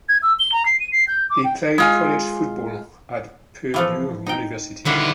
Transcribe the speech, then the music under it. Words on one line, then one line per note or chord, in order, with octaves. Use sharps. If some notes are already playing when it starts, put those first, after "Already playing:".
He played college football at Purdue University.
G#6
E6
G7
A#5
C7
D#7
C7
G6
D6
G5
G#3 F4 G#5
E3 F3 A3
D#4 G5
B2 D3 D#3 E4 F4